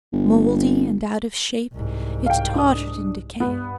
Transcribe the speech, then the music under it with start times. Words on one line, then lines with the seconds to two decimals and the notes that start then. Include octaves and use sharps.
Mouldy and out of shape, it tottered in decay.
0.13 G1
1.73 C2 G#2
2.26 F5 G5
2.55 D4 D#6
3.40 G2 B3